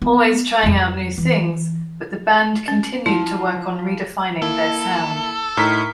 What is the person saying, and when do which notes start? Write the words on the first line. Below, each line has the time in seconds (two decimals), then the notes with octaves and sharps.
Always trying out new things,but the band continued to work on redefining their sound.
0.02 B3
0.63 F2 G3
1.18 E3
2.68 C#4
3.06 F3 E4
4.42 A#3 E4 A4
5.57 A2 D#4 A#4 B6